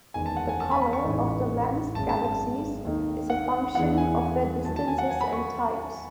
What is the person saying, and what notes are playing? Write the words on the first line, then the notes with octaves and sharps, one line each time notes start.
The color of the lensed galaxies is a function of their distances and types.
F#1 E2 D#3 G#3 G#5
A5
F#5
G#5
A5
B5
B5
C#6
A1 G#2 E3 A3
G#1 F#2 C#3 A5
A5
A5
D#2 D#3 A3 D#4
F#5
E2 C#3 E3 B3 E4 F#5
G#5
D#2 D#3 F#3 A5
A5
G#5
F#5
G#5
B5
C#6